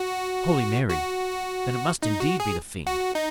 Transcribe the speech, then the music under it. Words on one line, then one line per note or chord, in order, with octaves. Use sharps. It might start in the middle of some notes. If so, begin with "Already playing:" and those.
Holy Mary! then it must indeed be the fiend.
Already playing: F#4
F#4
D#4
F#4
G#4
F#4
D#4